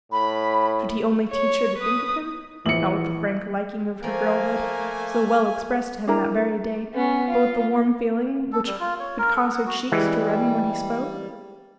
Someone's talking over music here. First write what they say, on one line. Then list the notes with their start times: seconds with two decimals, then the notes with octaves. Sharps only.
Should he only teach her to think of him, not with the frank liking of her girlhood, so well expressed to him that very day, but with the warm feeling which would cause her cheeks to redden when he spoke?
0.12 A2 B5
1.31 C#5
1.79 B4 D#6
2.66 A#1 E3 C#7 F#7
4.03 F3 A3 A#3 A#4 G#5
6.08 D4 E4 A#4 A#5
6.94 B3 C#4
7.27 F4
8.53 A4
8.67 G3
8.80 F4
9.00 C#5
9.18 A#4
9.35 A4
9.51 F#5
9.66 F#4
9.92 E3 G3 G#3